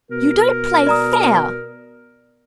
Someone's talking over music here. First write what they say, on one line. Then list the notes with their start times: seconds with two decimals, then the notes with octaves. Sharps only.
"You don't play fair."
0.11 B2 A#4
0.87 D5 A#5 D#6